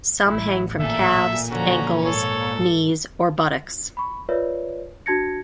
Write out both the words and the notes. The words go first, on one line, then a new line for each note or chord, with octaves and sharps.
Some hang from calves, ankles, knees, or buttocks.
A1 E4
A#2 A4 E5
D3 F3 C#4 F#4 A#5
G#2 A4 C#5
B5 C#6
F4 A#4 B4 C#5 D5 E5
D4 F#4 A5 G#6 A#6 C#7